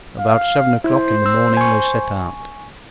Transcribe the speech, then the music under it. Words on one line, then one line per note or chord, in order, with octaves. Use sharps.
About seven o'clock in the morning they set out.
F5
E4 C5
E6
G#5 C#6